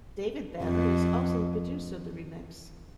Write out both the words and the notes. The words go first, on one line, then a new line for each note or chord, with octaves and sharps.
David Banner is also the producer of the remix.
F2